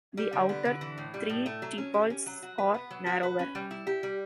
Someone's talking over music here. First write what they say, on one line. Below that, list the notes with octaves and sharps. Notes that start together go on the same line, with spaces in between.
The outer three tepals are narrower.
G3
D3
B3
D3
E3
A2
G3
A2
A3
F#3
C#4
G4
C#4
F#3
F#4
B4
B3
F#3
F#4
B4
C#4
G3
E4
G4
G3